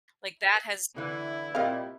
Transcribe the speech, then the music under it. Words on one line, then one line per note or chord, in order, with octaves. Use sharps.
Like, that has
D3 E3 E4
A#2 G3 C4 A#4 D#5 F5